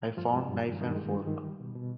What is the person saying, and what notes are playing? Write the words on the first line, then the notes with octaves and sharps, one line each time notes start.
I found knife and fork.
G2 F3 F4
G#3
G2
D#3
G2 D#3 D#4
G#3
G2
D#3
G3
B2
B2